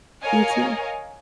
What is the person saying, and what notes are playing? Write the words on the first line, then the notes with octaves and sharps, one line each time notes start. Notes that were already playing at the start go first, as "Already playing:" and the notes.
You, too.
A#4 C#5 D#5 F5 G#5